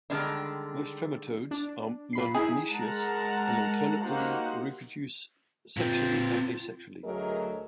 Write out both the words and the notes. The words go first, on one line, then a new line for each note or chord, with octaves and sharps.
Most trematodes are monoecious and alternately reproduce sexually and asexually.
D3 D#3 G3 G#3 D4
D4
A#2 B5 C7
D#4 E4 G#4
G#3 A#4 F#5 A5 A#5
A#3 D#4 F#4 G4 C5 F#5
A#2 C4 F4
D2 F#3 A3 G#4 A#4 D#5